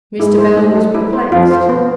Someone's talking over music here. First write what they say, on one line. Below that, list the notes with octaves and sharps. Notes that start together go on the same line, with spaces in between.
Mr. Bell was perplexed.
G#2 G#3 E4
C5
A3
A4
E4
C5
F2 F3 F4
C5
B3